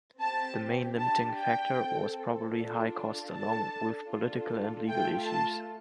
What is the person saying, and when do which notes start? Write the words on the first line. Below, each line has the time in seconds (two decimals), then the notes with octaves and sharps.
The main limiting factor was probably high costs along with political and legal issues.
0.21 C4 G4 A5
0.99 D4 G4 A5
1.38 G5
1.77 C4 A4
2.55 D4 F4 A4
3.32 D4 A4 A5
4.11 D4 F4 A4
4.88 A3 F4 A4 G5
5.27 A5